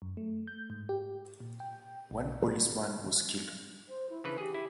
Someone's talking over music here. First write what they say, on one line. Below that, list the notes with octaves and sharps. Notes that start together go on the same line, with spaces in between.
One policeman was killed.
F#2
A3
G6
G#2
G4
A#2
G5
B1
C5
E4
C#3 E3 D4 B4
G4 G#4
E4